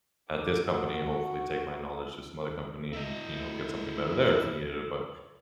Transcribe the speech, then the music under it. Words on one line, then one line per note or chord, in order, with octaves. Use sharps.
at this company, hopefully, take my knowledge to some other company and, you know, get something better there if needed. But,
D6
F#4
E4 D#5